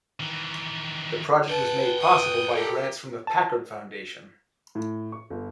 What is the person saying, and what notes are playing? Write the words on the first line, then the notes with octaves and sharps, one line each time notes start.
The project was made possible by grants from the Packard Foundation.
D#3 E3
B4 F#5 G5 A5
D#6
G4 A4 A#4
A5
A2
C#6
G1